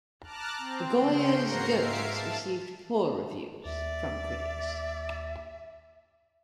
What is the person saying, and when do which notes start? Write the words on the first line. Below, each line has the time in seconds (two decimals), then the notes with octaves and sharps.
"Goya's Ghosts" received poor reviews from critics.
0.23 A5 A#5 D6 F6 F#6
0.58 C4
0.97 C#3 G5 C6
1.38 G#2 F#4 A#4 A#6 C7 C#7
1.73 G#2 E5 F5 F6 C7 D7
2.08 A5
3.65 D#2 D5 E5